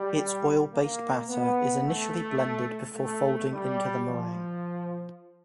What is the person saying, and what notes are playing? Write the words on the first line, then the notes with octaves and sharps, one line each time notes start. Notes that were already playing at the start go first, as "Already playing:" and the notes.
Its oil-based batter is initially blended before folding into the meringue.
Already playing: G3
A#3
B3
A3
A3
G3
F3